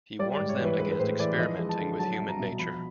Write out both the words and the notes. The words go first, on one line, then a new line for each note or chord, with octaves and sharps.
He warns them against experimenting with human nature.
G3 D5
D5
G#2
C#5
E3 B4
G#3 B4
B4
A2 C5
E3 D5
F3 D#5
G#3
A5
D3
F#3 A5
C2
A#5
B2
F3 B5